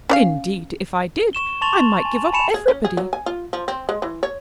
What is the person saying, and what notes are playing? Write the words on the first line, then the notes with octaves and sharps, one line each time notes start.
Indeed if I did I might give up everybody.
C#4 D5 F5
C#6 E7 G7
A5 C6 C#6 A6 F7 F#7
G#5
G#5 A5 B5 C#7 E7 F7
G#4
C#4
G#4
F#3
G#5
F4
F3
C4
G#3
E3
C#5